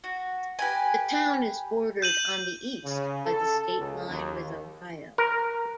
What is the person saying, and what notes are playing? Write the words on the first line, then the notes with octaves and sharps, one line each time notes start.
The town is bordered on the east by the state line with Ohio.
F#4
G4 B4 G#5
G6 D#7 F#7
C#3
A4
C#2
D#2
A#4